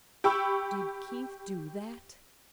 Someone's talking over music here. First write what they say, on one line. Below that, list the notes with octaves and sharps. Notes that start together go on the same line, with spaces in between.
"Did Keith--do that?"
G4 G5 B5 C#6 E6